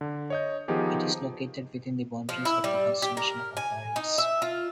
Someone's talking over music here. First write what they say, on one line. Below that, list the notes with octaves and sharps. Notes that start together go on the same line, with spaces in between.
It is located within the boundaries of the constellation of Aquarius.
D3
C#5 D#5 G6
D#3 F3 B3 D#4 G4 G#4
F3
E4
G3
G4
A#4
G#5
D#4
E5
F4